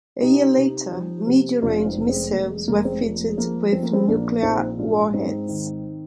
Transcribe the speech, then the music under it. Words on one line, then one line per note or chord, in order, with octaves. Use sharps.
A year later, medium range missiles were fitted with nuclear warheads.
C3 D#4 G4
C3
F3
C3
F1 D4 F4
F4
C4 D#4
F1
G#3 C4
F1 A#3
G#3
F1 A#3
G#3 C4
F3 A#3
G#3
F3 A#3
F3 C4
A#3
G#3 C4
A#1 A#3 D4
A#1 C4 D#4
G#2 D4 F4
G#2 C4 D#4
D#3